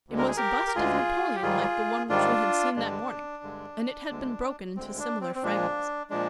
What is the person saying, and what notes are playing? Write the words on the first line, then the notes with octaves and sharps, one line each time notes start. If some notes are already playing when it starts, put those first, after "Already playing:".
It was a bust of Napoleon, like the one which we had seen that morning, and it had been broken into similar fragments.
D2 D3 G#3
A#4
G#4
G4 A#4
A#4
D2 D3 G#3 F4 G#4
G4
G#2 D#3 G3 F4 G#4
G#2 D#3 G3 D4 F4
G2 D3 G#3 D4
G2 D3 G#3
D2 D3 G#3
D2 D3 G#3 C4
D4
C4
C4
A#2 F3 G#3 D4
A#2 F3 G#3 D4